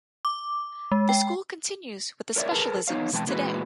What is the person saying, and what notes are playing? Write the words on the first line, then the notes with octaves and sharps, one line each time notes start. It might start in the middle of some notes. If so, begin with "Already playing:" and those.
The school continues with the specialisms today.
D6
G#3
G5
A#4 C#5 D5 E5
G#4 A#4 B4 A5
B3 D#4 C#5 F5
B2 E3 G#3 G5 A5
A#2 E3 G#3 E4 F#4 B4